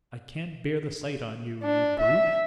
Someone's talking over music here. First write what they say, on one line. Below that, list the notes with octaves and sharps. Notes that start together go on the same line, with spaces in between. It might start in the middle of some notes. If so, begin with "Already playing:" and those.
I can't bear the sight on you, you brute.'
D4
E5